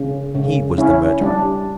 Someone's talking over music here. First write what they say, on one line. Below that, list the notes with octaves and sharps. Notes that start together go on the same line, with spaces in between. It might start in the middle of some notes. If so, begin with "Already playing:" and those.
HE was the murderer!
Already playing: C#3
C#3
C#4 E4
G3 D4